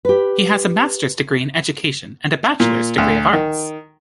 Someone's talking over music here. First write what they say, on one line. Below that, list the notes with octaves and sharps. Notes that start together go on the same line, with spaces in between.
He has a Master's degree in Education, and a bachelor's degree of arts.
G4 B4
A#2
D2
D#3